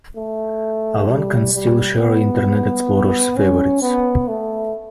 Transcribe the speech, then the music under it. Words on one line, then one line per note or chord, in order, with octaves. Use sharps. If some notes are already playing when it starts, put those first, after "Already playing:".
Avant can still share Internet Explorer's "Favorites".
A3
G3
G3
B3
C#4
B3
A3